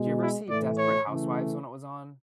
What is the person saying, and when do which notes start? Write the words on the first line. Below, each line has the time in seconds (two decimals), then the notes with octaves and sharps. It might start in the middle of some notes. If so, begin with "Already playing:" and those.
Do you ever see Desperate Housewives when it was on?
Already playing: B2 G#3
0.21 E4
0.49 A2 E3 A3 D5
0.79 C#5
1.08 C#3 E3 A3